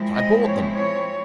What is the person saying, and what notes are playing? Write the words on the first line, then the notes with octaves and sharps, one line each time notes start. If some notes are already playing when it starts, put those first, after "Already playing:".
So I bought them.
Already playing: A#2 F3 G#3 C4 E4
D#5
C#5
C#5